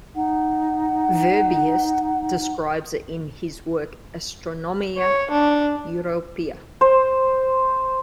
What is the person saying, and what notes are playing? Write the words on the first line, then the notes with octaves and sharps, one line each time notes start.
Verbiest describes it in his work "Astronomia Europea".
D#4 F#5
C#5
D4
C5